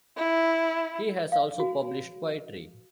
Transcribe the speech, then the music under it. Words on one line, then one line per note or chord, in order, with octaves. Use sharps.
He has also published poetry.
E4
F5
F#4